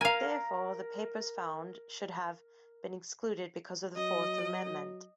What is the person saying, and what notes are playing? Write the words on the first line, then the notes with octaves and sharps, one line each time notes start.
Therefore, the papers found should have been excluded because of the Fourth Amendment.
A#4 F5 G#5
F#3 D#5